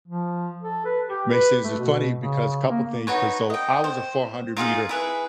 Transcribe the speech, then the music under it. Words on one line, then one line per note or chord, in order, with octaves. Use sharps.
Makes sense. It's funny because- a couple things- 'cause so I was a four-hundred-meter
F3
A4
B4
G4
B4
A3
B2
C#3
A#3
D#4 F#4 B4 C#5
D#5 G5
C5
D#4 F4 G#4 F5
E4 G#4 B4